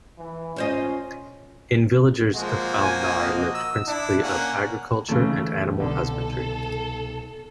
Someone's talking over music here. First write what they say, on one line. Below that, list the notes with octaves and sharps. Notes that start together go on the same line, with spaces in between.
In villagers of Al-Nahr lived principally of agriculture and animal husbandry.
E3
C#4 F4 C5 D#5
F3 G#3 A#3 F#4
G#5
D#5
E6
D4 E4
A#3 C#4 F#5
D2 C#3 E3 A3
C2 B2 D3 A4